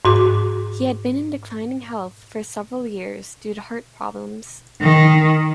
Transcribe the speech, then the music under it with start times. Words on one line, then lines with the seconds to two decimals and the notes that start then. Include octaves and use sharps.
He had been in declining health for several years due to heart problems.
0.05 G#2 F#4 D6
4.82 D#3